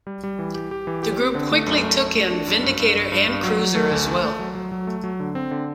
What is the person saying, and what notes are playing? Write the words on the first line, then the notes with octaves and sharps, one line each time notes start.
The group quickly took in Vindicator and Cruiser as well.
G3
G3
E3
G4
G4
E3
G4
C4
D3
A3
F#2
A3
F#2
A3
D4
F#2
G2
G2
G2
G2
G2
F#3
F#3
A3
D2
A3
A3
F#3
F#3
F#3
A3
F#3
D3
C4
D3